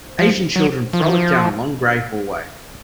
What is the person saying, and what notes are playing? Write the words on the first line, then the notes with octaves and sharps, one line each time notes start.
Asian children frolic down a long gray hallway.
F3
F#3
F3
D#3
F3